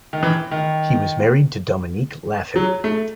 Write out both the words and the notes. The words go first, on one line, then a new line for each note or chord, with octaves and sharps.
He was married to Dominique Laffin.
D#3
E3
D#3
F#3
A3